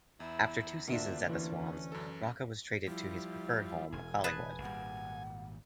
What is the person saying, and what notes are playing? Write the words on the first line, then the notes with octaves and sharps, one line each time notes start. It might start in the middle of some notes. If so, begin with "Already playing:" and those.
After two seasons at the Swans, Rocca was traded to his preferred home, Collingwood.
E2 E4
D2 A#3 D4 F4 E5
E3 C#4
F#2 A4
F3 G3 E4
E1 G#5
G#4 B4 A5
G#1 A#2 G3 F#5